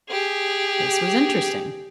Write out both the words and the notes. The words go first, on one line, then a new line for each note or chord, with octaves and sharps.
This was interesting.
G4 G#4